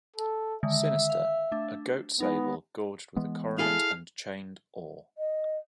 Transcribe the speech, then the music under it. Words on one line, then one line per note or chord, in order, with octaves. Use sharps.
Sinister: a Goat Sable, gorged with a Coronet and chained Or.
A4
D3 D#3 G#3 E5
F5
A3 D4
G#3 B3 D#4
E3 G#3 B3
E4 G#4 A4 F5
D#5